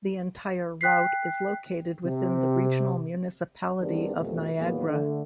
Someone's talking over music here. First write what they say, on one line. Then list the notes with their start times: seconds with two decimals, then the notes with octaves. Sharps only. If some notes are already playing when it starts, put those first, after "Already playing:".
The entire route is located within the Regional Municipality of Niagara.
0.81 G5 F#6 B6 C7
2.05 C3
3.81 E2 D#3 G3 C4 D4 A#4
4.15 C2 F2 B2 F3 A3
4.59 E2 A#2 D#3 F#3 A#3 B3
4.89 D3 A3